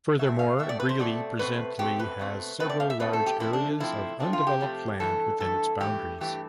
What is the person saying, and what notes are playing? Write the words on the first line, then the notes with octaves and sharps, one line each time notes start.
Furthermore, Greely presently has several large areas of undeveloped land within its boundaries.
B2 A3 C4 E5
F5
B2 A3 C4 E5
D5
B4
C5
B2 A3 C4 D5
B2 A3 C4 B4
B2 A3 C4 G4
B4
B2 A3 C4
B2 A3 C4 B4
D5
F5
E5
B2 A3 C4 B4
A4
G4
C3 F3 A3 C4 E4
D4
C3 F3 A3 C4 E4
C3 F3 A3 C4 D4
F4
G4
C3 F3 A3 C4
G2 E3 A3 A4
G2 E3 A3 A4
G2 E3 A3 G4
G2 E3 A3 G4